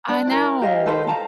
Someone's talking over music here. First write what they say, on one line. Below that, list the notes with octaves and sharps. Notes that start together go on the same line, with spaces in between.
I know.
D4
E4 A#4
G4 D#5 F5
D#4 A4 B4 C5
F5 A5 A#5